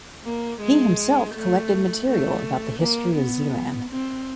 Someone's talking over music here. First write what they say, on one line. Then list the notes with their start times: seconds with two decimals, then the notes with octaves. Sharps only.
He himself collected material about the history of Zeeland.
0.25 A#3
0.61 G#3
1.34 A3
2.07 A3
2.80 A#3
3.16 B3
3.90 C4